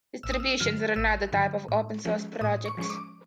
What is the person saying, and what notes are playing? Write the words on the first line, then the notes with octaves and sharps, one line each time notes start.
Distributions are another type of open-source project.
A1 E6
D#6
E6
G2 D3 F#3 F6
A1 E6
G2 D3 F#3
A2
F3 G#3 C#4
A2 D#6
C#6
F3 G#3 C#4 C#6
D6